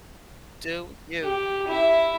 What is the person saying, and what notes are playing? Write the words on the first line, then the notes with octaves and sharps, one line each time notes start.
do you.
G4
E4 E5